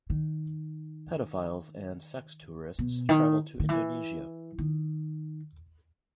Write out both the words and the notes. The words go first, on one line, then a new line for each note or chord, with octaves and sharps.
Pedophiles and sex tourists travel to Indonesia.
D#3
B2
D#3
D#3
E3
D#3